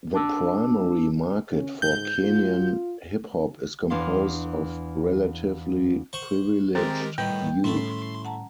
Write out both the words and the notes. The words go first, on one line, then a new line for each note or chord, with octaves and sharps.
The primary market for Kenyan Hip Hop is composed of relatively privileged youth.
D4 A5 D6 E6
C#4
G#2 G6
F4
E2 D4 F5 C6
C5 F#5 C#6
D#3 G#3 C4 G4 A#4 A#5 A6
A2 D#3 G3 B3 G5
A2 A3 C#4 E4 C6
F#5 A5 A#5